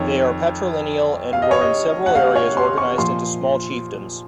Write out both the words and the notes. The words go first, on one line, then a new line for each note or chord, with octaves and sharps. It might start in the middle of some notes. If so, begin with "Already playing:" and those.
They are patrilineal and were in several areas organized into small chiefdoms.
Already playing: F2 D#3 C#5
F5
D#5
C#5
D#5
F#5
F5
C#5
C6
C#6
A#2 F3 C6